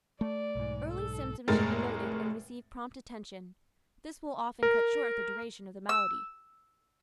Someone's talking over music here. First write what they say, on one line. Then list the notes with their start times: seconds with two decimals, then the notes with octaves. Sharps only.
Early symptoms should be noted and receive prompt attention; this will often cut short the duration of the malady.
0.21 A3 D5
0.55 B1 G#2
0.91 A4
1.48 F1 A2 G#3 A#4 A6
4.63 A#4
5.89 E6